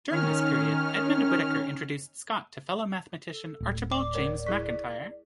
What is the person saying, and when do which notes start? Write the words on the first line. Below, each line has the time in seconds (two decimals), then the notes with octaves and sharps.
During this period Edmund Whittaker introduced Scott to fellow mathematician Archibald James Macintyre.
0.11 D#3 C#4 F6
3.31 A4
3.60 D1
3.92 D5 D6
4.14 G#3 A#4 C#5
4.46 E4 G#4 C#6 B6